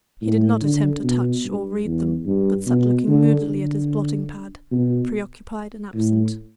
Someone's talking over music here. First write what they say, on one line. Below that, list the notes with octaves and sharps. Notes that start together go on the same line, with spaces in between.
He did not attempt to touch or read them, but sat looking moodily at his blotting-pad, preoccupied and absent.
A2
D3
B2
G2
E2
G2
B2
D3
D3
B2
A2